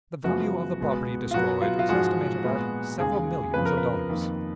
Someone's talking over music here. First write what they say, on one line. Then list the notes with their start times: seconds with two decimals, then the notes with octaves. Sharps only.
The value of the property destroyed was estimated at several millions of dollars.
0.24 F#2 C#3 F3 G#3 B3 F#4
0.80 C#2 B2 G#3 B3
1.31 F4
1.34 B2 F#3 B3 F#4
1.61 F4
1.79 F4
1.89 G#2 F3 G#3 F#4
2.44 A#2 G#3 B3
2.99 D#2 C#3 G#3 G#4
3.54 F2 C#3 F3 B3 B4
3.65 A#4
3.77 B4
4.09 F2 D#3 A#3